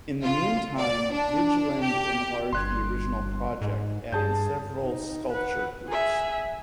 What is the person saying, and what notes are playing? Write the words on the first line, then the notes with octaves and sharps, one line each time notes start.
In the meantime Vigeland enlarged the original project, adding several sculpture groups.
F4
D5
D4
G4
G1 C6 F#6 G#6
G#2
G2 G#4 A5 G6
D#4
B4 F#5
G#4 E5